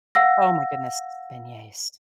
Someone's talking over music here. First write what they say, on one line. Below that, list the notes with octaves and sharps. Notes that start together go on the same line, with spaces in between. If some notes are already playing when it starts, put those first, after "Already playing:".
Oh my goodness, beignets.
F5 F#5 E6 A#6